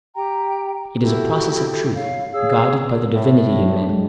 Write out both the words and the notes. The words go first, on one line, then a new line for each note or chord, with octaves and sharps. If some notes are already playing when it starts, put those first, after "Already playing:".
It is a process of truth, guided by the divinity in men.
G4 G5 A#5
E4 F#4 G4 A4
C#5 F5
G#4 C#5 F5 E6
A2
F#3 D4
G#3